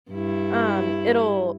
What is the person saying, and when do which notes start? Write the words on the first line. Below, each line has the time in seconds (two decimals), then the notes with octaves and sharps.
um, it'll,
0.11 G2 E4